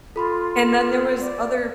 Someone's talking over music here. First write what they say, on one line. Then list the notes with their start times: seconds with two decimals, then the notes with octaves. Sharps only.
and then there was other
0.16 F4 A4 B5 C6
1.20 D5